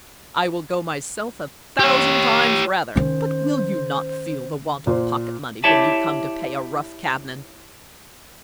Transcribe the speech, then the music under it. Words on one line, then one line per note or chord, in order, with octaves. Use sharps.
I will go myself a thousand times rather!--But will you not feel the want of pocket-money when you come to pay a rough cabman?
G4 C#5
D#3 C#4 C5
A#2 C5
E4 G4 C#5 D5 E5 A5